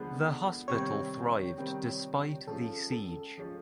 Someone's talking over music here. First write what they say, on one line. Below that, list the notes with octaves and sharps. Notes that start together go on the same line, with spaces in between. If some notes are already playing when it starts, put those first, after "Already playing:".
The hospital thrived despite the siege.
Already playing: D3 F3 G#3 B3 B4
C3 D#3 G3 C4 C#5
C3 D#3 G3 C4
F3 G#3 C#4 F4 A4
A4
F3 G#3 C#4 F4